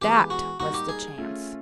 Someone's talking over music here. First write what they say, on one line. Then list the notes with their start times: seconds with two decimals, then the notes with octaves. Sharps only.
THAT was the chance!
0.02 E3 G#3 B3 G4
0.30 F#4
0.60 G3 A#3 D#4 F#4
0.74 G4
0.89 G#4
1.18 A3 C#4 F4